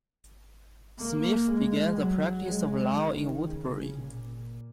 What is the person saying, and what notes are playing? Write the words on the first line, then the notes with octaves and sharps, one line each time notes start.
Smith began the practice of law in Woodbury.
A#3
G#3
F#3
G#3
D#3
C#3
A#2